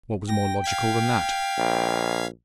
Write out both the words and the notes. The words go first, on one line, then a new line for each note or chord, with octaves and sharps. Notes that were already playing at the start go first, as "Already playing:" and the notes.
What was more logical than that?
G5 A#6
F5 G#6 B6
A#1